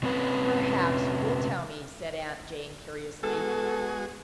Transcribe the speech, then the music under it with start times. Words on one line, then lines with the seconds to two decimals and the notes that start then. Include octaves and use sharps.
"Perhaps you will tell me," said Aunt Jane, curiously.
0.03 C3 C4 C#4 B4
3.23 G#3 B3 F#4 G#4 A4